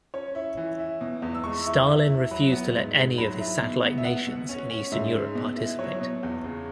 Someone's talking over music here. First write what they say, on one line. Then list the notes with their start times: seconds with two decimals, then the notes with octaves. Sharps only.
Stalin refused to let any of his satellite nations in Eastern Europe participate.
0.14 C#4 C#5
0.35 E4
0.57 E3
0.79 E4
1.01 B2
1.22 E2
1.35 E6
1.44 G#3 C#6
1.66 E4
1.88 E4
2.09 E4
2.31 F#3 B5
2.52 B3
2.75 G#2
2.96 G#2
3.18 F#3 B5
3.40 E4
3.62 B2
3.83 B3
3.98 E5
4.05 B2 F#5
4.27 B2
4.49 C#4
4.70 C#4
4.92 G#2 E5
5.14 G#3
5.35 B2
5.56 E4
5.79 F#3 C#5
6.01 B2
6.23 E2
6.44 C#3